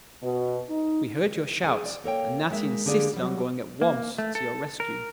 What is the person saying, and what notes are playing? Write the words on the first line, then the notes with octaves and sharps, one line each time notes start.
"We heard your shouts and Natty insisted on going at once to your rescue."
B2
D#4
G#4 G#5
D5
A#3 A4 C#5 G5
G#3 A#3 E5
D3 A#3 G4 G#4 D5
F#3 G3
A#3
A3
A4
A#4